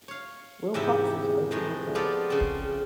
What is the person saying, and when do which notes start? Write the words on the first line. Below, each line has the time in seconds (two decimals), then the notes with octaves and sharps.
Wilcox is openly gay.
0.08 C#5 F5
0.74 E2 G#2 C3 E4 G4 E5
1.51 F2 A2 G#3 D#4
1.95 F3 G3 B3 F4 A4 D5
2.30 C#3 C4